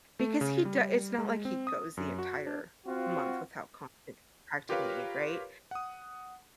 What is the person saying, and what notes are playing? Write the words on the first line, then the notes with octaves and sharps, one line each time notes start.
because he do it's not like he goes the entire month without contact contacting me, right?
A3
C#3
G3
G#3
C4
D#6
F#2
F#4
D4
C4 F4 F#4
F4 G4 A#4 B4 C#5 F5
F#5 D#6